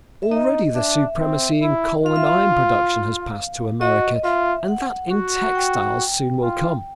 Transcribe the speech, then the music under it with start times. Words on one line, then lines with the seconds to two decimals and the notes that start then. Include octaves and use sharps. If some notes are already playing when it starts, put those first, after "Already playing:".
Already the supremacy in coal and iron production has passed to America, and that in textiles soon will come.
0.23 E5
0.31 D#4 D#5
0.75 D4 E5
1.19 C4
1.62 E4
2.06 F4 F5
2.16 E5
2.27 F5
3.81 F#4 D#5
4.24 F4 E5
4.68 F#5
5.12 F#4
5.55 G5
6.43 F4